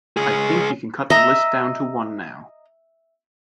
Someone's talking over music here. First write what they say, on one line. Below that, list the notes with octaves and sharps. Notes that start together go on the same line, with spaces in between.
I think you can cut the list down to one now.
C#2 G#4
D#5 E5 A#5